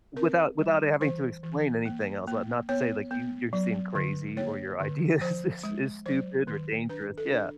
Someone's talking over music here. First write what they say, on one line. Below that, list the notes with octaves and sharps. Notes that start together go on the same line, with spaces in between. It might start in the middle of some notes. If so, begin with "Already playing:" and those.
Without without having to explain anything else. Li not to say, like, you you seem crazy, or your idea is is is stupid or dangerous. Yeah.
C4 A#4
G3
E3 C5
E3
A#3
A#3
B3 C#5
B3
F#3
D3
A#3 C#5
D3
F3 C5
G#3
F#3 C5
D#3
D4 B4
A4
D4